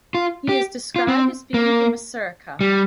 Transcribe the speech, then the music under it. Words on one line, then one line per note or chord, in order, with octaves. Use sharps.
He is described as being from Masrekah.
F4
G4
F4
C4
A#3
G3